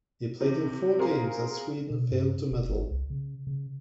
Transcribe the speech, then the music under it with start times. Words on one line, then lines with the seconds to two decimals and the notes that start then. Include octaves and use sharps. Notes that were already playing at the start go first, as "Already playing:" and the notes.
He played in four games as Sweden failed to medal.
0.40 C3 E3
0.99 C4 F4 F#4 G#4 A#4
1.90 B2
2.12 G2
2.51 E1
2.68 G1
2.91 C2
3.10 C#3
3.47 C#3